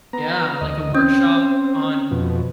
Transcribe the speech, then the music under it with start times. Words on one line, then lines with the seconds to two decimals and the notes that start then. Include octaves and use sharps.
Yeah, like a workshop on
0.13 B3 A#5
0.61 D2 D#5
0.95 C4 C#4
2.11 F2 B2